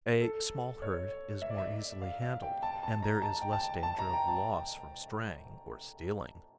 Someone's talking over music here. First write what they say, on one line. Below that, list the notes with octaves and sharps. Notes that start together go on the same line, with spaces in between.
A small herd is more easily handled, and there is less danger of loss from straying or stealing.
A4
C#5
E5
D5
E5
F5
F5
G5
A5
A5
A#5
A5
G5
A5
A5
A#5
G5
A5